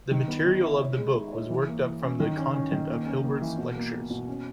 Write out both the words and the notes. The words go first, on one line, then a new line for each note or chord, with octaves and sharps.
The material of the book was worked up from the content of Hilbert's lectures.
D#3
B3
D#3
E4
C#5
G#3
D#4
C#5
E3
A#3
E3
C#4
D#3
C#4
C#4
D#3
A#3
C#4
A#3
E3
B2
A#3
B2
B2
C#4